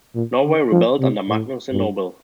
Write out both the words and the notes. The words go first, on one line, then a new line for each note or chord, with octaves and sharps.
Norway rebelled under Magnus the Noble.
A#2
D3
F3
C3
A2
G2